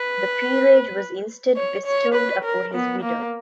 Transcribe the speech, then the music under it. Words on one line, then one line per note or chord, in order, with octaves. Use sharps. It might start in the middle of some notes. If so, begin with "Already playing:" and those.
The peerage was instead bestowed upon his widow.
Already playing: B4
C#5
C#5
B4
A#4
B3
A#3